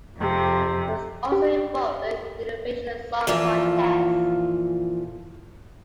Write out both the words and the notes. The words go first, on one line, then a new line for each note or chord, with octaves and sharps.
He was also involved in the Eurovision Song Contest.
F2 C3
G4
A#2 E3 F3 F4 A4